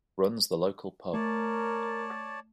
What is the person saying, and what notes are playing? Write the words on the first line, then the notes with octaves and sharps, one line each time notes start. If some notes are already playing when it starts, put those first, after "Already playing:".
Runs the local pub.
A3 A#4 C#5 D5 A5